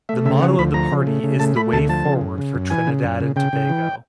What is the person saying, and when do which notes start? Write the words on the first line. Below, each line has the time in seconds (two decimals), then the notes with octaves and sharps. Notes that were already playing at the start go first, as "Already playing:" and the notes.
The motto of the party is The way forward for Trinidad and Tobago.
0.09 A3 E5
0.25 C#3 E5
0.42 F3 F#5
0.59 D2 B5
0.74 F3 A#5
0.91 C#3
1.07 A3
1.23 C#3
1.40 A3 A5
1.56 A3 B5
1.73 D2 A5
1.89 F3 A5
2.05 C#3
2.21 F#2
2.38 C#3
2.55 F#2
2.70 E3 G#5
2.87 C#3
3.04 F#2
3.20 C#3
3.36 C#3 G5
3.53 C#3
3.70 E3